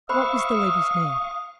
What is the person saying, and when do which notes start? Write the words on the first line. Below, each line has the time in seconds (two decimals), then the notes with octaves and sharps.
"What was the lady's name?"
0.09 C5 E5 F5 B5 C#6 D#6